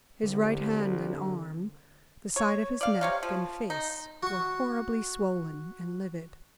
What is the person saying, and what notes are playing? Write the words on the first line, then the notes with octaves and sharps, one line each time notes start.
His right hand and arm, the side of his neck and face were horribly swollen and livid.
C2 D3
C#5
D5 F5
C3 C#5 F5
F3
D#4
F#4 C#6